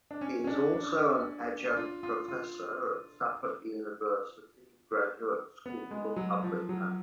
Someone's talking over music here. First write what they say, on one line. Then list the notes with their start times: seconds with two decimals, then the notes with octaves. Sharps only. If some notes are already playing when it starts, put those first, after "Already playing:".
He is also an Adjunct Professor at Suffolk University, Graduate School of Public Management.
0.11 D4
0.21 C#4
0.44 C#4
0.47 D4
0.74 D4
1.70 D4
1.77 F4
2.03 F4
2.28 F4
5.66 B3
5.91 G#3
6.16 F#3
6.43 F3
6.69 F#3